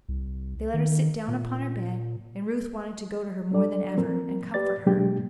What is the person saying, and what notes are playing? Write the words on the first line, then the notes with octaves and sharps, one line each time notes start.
They let her sit down upon her bed, and Ruth wanted to go to her more than ever, and comfort her.
C2
D#3
A#2
F#3 G3 D4 A4 D5
F3 A#3 C4 A#4
G4 B4 D5 A6
B2 F#3 G#3 A#3 D4 G4